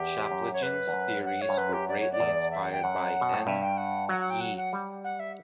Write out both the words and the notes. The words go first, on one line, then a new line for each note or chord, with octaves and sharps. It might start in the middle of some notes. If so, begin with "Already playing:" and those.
Chaplygin's theories were greatly inspired by N. Ye.
Already playing: E2 G4
F#2
C#5
B4
E2
F#2
F#5
C#5
G2
F#2 B4
G4
D5
C#5
D5
E2
E5
F#5
G5
F#2 F#5
B2
A2
G2 E5
G5
F#5
F#3 F#5
F#5
G5
F#5
F#5
G3
F#5
E5